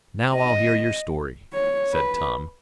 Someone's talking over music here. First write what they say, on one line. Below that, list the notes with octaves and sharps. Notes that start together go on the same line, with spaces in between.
"Now I'll hear your story," said Tom.
D#5
C#5
B4